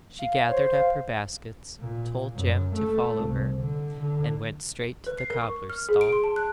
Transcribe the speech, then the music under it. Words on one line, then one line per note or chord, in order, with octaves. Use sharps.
She gathered up her baskets, told Jem to follow her, and went straight to the cobbler's stall.
F5
C5 C#5
F5
A#2
F#2
A3
C2
D3
D3
B4
C7
A#4
C#6
F6
G#4
D7
C6
A5
F#6